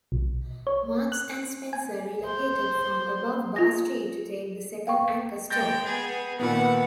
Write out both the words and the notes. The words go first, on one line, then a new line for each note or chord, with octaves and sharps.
Marks and Spencer relocated from Above Bar Street to take the second anchor store.
B1
C#5
F#6
G#5
C5
F4 A#6
F5 G5 C#6
G#3 G5 G6 A6 A#6
B3 G#4
A#2 D#3 B3 B4 F#5